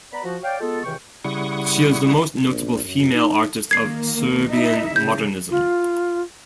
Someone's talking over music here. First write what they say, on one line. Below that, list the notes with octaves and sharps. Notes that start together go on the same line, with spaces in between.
She is the most notable female artist of Serbian modernism.
B3 B4 D5 A#5 B5
F3 F#4
C#5 D5 F5 G5
G#3 B3 F4 A4
C#2 C3 D#3 E3 G5 C#6
C#3 G3 E4 F#5 C#6 D#6
A#1
F#2
D#4
D#3 A#3 G#6 C7
D#4 E4 E5
C#3 G6
F4